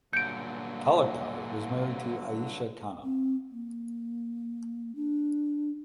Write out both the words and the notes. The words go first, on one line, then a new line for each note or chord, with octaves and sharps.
Talukdar was married to Ayesha Khanam.
E2 G2 A#2 D3 F#3 G6 C#7 D7
C4
A#3
D4